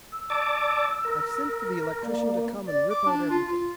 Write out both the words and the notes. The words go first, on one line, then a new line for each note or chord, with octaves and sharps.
I've sent for the electrician to come and rip out everything.
E6
D5 A5 D6
A#4
A#3 D5
D5
D6
D4
F4
F4